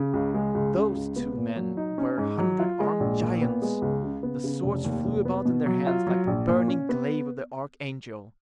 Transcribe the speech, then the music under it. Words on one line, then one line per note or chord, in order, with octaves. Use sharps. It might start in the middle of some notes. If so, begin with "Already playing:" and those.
But those two men were hundred-armed giants; the swords flew about in their hands like the burning glaive of the archangel.
Already playing: C#3
C#2
G#3
C#2
C#3
C#2
B3
A#2
F#3
D#4
C#4
G#2
F#3
F4
G#3
A#1
A#2
B3
G#3
C#2
C#3
B3
C#3
F1
D#2
F1
B3
B2
F#3
F4
F#3
A#1
A#2
C#4
B3